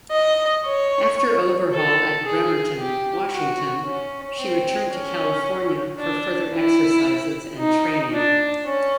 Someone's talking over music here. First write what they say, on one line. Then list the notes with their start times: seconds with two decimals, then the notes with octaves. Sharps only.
After overhaul at Bremerton, Washington, she returned to California for further exercises and training.
0.11 D#5
0.65 C#5
1.72 A4
2.25 G#4
2.79 G4
3.32 F#4
3.85 C#4
4.39 C4
4.92 C#4
5.99 D4
6.54 E4
7.59 D#4
8.13 D4
8.66 C#4